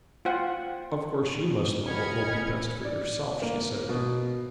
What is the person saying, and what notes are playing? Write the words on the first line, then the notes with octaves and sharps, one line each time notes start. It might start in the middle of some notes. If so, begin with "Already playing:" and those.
"Of course you must know what will be best for yourself;" she said.
F4 C5 F#5 G5
D#5 G#5 B5 F6 G#6 C#7
D5
A#3
B2